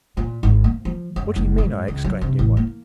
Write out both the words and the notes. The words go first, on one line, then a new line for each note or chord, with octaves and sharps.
"What do you mean?" I exclaimed, in wonder.
A#2
G#1
A#3
F3
F#2
F#1
G#2
C#2
F#3
C3
A1
A#3